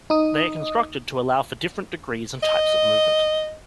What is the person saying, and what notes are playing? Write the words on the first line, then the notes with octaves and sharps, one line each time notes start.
They are constructed to allow for different degrees and types of movement.
D#4 D#6
D#5